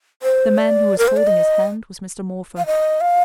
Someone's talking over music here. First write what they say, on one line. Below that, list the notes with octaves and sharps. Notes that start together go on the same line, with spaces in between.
The man who was holding his hand was Mr. Morpher.
C5
D5
A#4
C5
D5
D#5
F5
D#5
F5